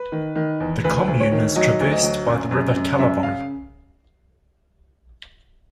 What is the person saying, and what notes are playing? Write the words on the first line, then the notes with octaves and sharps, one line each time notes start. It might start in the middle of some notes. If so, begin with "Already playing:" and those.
The commune is traversed by the river Calavon.
Already playing: B4
D#3
D#3
E2
D2 B4
D2
C#5
D#3
F#3 D#5
D2
D#5
F#3
F#2
F#2
F#2
F#2 E5
C#3 F5